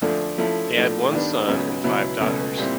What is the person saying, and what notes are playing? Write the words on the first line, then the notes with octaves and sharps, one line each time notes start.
They had one son and five daughters.
D2 D3 F3 A3 D4
F3 A3 C#4 E4 A4
A2 F3 A3 D4
G2 D#3 G3 B3 D4
C#2 C#3 F#3 B3
C#2 B2 F#3 B3 E4
C#2 B2 F#3 A3 C#4
A#2 G3 C4 E4